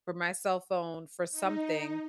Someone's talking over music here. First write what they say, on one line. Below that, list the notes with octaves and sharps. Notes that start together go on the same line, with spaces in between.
for my cell phone for something
D#4